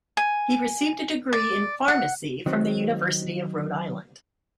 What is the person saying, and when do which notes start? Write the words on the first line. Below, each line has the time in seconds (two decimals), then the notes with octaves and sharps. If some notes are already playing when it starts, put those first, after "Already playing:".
He received a degree in Pharmacy from the University of Rhode Island.
0.17 G#5
1.33 D5
1.88 F#5
2.46 D#3 F#3 C4